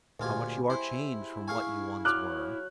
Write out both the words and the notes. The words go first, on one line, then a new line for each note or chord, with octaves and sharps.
How much you are changed from what you once were!
D2 A#2 G#3 B3 F4 G4 G#5
E4 C5
G#4 F5 G#5 C#6
F#3 D6 F6 F#6